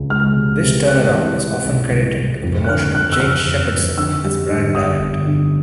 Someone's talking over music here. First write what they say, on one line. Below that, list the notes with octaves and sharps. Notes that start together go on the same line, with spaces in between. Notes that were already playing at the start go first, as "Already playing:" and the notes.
This turnaround is often credited to the promotion of Jane Shepherdson as brand director.
Already playing: C#2 C3 G#3
G#3 F6
C3
C3
G#3 F#6
E3
E3
C2
C2
C2
F2
F#6
D3 F6
D3 F#6
E6
F2 F6
F2
F2
D3 E6
G3
D3
G1 D#6
G1
D3